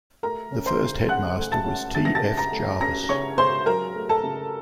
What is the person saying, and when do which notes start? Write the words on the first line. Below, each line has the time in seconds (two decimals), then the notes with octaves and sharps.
The first headmaster was T F Jarvis.
0.23 A3 A#4 A#5
0.52 C#4
0.66 C5 C6
0.80 C#3
1.09 C#3 F#5 F#6
1.38 A3
1.52 A5 A6
1.66 C#4
1.95 C#3 A6
2.05 A#6
2.15 A5 A6
2.23 C#3
2.38 A#5 A#6
2.52 A3
2.81 C#4 A#5 A#6
3.09 C#3 C#5 C#6
3.38 C#3 C5 C6
3.66 F#3 A#4 A#5
3.96 A3
4.09 A4 A5
4.24 C#3